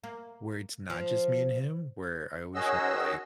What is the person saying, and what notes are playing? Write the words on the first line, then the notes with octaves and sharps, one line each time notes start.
where it's not just me and him, where I always try to like.
A#3
F3
D#3 C#4 F#4 G#4 D#5 E6